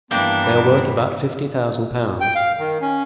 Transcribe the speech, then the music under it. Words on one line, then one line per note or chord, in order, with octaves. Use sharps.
They are worth about fifty thousand pounds.
G2 E3 A#3 B3 D4 G5
G5
F5
D#3
C#4